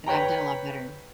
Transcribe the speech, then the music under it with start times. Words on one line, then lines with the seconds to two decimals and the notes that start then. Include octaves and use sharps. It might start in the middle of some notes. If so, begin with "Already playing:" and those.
and I've done a lot better.
0.06 B4 C#5 G5 A#5